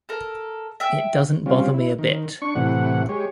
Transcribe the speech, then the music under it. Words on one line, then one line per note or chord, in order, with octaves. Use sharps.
It doesn't bother me a bit.
A4 A#4
E5 G5 E6
G3 C4 C#4 F4
E4
D#3
D4 C#6
A2 C3 E3 F#5
G#3 G4 C#5